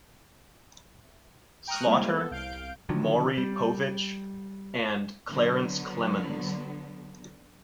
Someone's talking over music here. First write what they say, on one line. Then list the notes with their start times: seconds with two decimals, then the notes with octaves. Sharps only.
Slaughter, Maury Povich and Clarence Clemons.
1.67 G5 A#5 C#6 D#6 F6 F#6
1.86 G3 G#3 A#3 C4 E4 G#4
2.12 B3 A4
2.31 C2 F5 G6 D7
2.89 D3 D#3 F3 F#3
3.38 G3
5.29 D3 F#3 B3